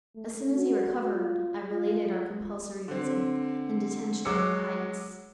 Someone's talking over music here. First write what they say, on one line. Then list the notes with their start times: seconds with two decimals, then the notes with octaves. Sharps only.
As soon as he recovered, I related our compulsory visit, and detention at the Heights.
0.16 A3
0.56 F#4
1.11 F4
1.73 F4
2.88 D3 C4
4.25 F#3 G#3 D6 E6 C#7